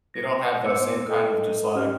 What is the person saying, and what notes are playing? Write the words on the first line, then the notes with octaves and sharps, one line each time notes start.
they don't have that same kind of just, like
A#6
B3 C5 C6 D6 E6 C#7
A4 D#5 G5
C#4 G4 D5 G5 F6